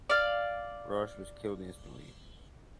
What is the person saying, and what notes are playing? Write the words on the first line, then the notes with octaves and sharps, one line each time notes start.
Rosch was killed instantly.
D5 F5